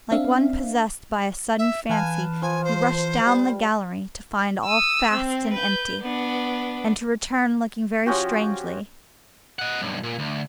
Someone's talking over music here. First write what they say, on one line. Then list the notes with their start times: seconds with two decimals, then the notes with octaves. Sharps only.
Like one possessed by a sudden fancy he rushed down the gallery to find all fast and empty, and to return looking very strangely.
0.11 C4 D4 E5 F5
1.59 E5
1.89 E3 B4 F5 G#5 A5
2.42 F3 G#5
2.64 C5
3.26 G3
4.64 D#6 E6
5.11 C4
5.53 B4 G6
6.00 B3 D4
8.06 F3 C#4 F#4 G4
9.59 D#5 F#5
9.81 B1 G2
10.03 A#2
10.19 D2